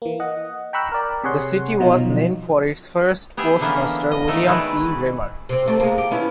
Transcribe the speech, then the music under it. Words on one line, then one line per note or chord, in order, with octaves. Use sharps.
The city was named for its first postmaster, William P. Remer.
E3 A#3
D#5 F#5
G5 A#5 B5 C#6 E6 F#6
A#4 D5
C3 G#4 C#5 F#5 C6
B2 F3 F#3 D#4 F4
B3 G4 G#4 E5
D3 E3 A#3 B3 C#4
D#5
D#3 A3
D#3 G#3 E4 F#4 B4 D5
C3 C4
C3 A3 C4
G#3 A#3
G4
B3 C#4 E4